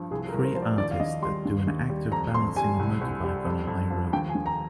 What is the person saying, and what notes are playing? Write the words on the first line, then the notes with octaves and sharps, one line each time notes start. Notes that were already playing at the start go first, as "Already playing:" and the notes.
Three artists that do an act of balancing a motorbike on a high rope.
Already playing: G2 F3
C2 G#4
A#4
C2
A#4
C5
F3 C5
D5
D#2 D5
F5
D#2 D#5
G3 C6
D#2
D#2
G3
F2 A#5
F2 C6
G3 G#5
C2
C2
G3
F2
F2
F3
D#2 G5
G#5
D#2
A#5